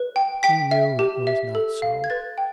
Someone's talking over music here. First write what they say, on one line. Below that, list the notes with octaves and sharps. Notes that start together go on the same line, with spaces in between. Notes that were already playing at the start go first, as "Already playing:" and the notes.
He knew it was not so.
Already playing: B4
G5
G5 B6
E5
G4
E5
A4
F5
G#6
B4 A6
G5